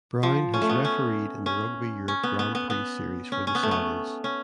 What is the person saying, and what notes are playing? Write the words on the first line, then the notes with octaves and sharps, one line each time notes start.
Brown has refereed in the Rugby Europe Grand Prix Series for the Sevens.
F3
C#4
A3
B3
C#4
C#4
C#4
B3
B3
B3
B3
C#4
C#4
B3
A3
B3
C#4